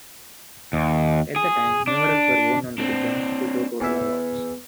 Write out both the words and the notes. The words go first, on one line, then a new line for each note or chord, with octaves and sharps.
At the time, numerals were worn on the ribbon to show total awards.
D#2
G#4
D4
C4 D4
E2 E5